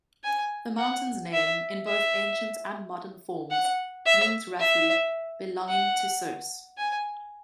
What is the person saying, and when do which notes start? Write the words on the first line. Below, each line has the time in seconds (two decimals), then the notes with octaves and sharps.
The mountain's name, in both ancient and modern forms, means roughly, "belonging to Circe".
0.24 G#5
0.79 F#5
1.33 E5
1.87 E5
3.51 F#5
4.06 E5
4.60 E5
5.69 F#5
6.78 G#5